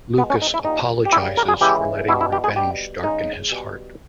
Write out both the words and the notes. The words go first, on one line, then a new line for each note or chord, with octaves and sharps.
Lukas apologizes for letting revenge darken his heart.
B2 G#3 B3
C#4
D#4
E4
A#2 G3 D#4
G4
C#3 G3 E4
A#4
G#4
C#3 E3 G#3 G4
B2 G3 E4
E4
G4
G#4
B2 G3 G4
C#3 G#3 D#4
B2 G3